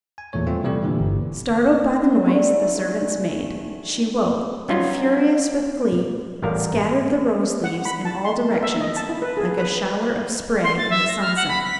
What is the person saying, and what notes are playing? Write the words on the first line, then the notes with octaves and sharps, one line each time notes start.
Startled by the noise the servants made, she woke, and, furious with glee, scattered the rose-leaves in all directions, like a shower of spray in the sunset.
G#5
E2 A#2 A3 C#5
G3 A3 B3 C4 F4
C3 E3 G3 A3 G4
A#2 D3 E3
G1
D3 D#3 A3 G#4
B3 C#4 D#4 F4
A1 G3 B3 A#4 F5
F#5
B5
A5
C6
A#4
E5
D#5
A5
E4
B4
G#4
B4
C6
A6
E5
A#6
F6
F#5
B5
B6